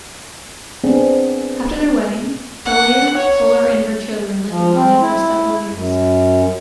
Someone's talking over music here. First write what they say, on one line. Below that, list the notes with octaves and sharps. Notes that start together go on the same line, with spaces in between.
After their wedding, Dullea, Fuller and her children lived in London for several years.
B3 C4 D4 G#4
F#5
C#5
F3
C4
E4
F#2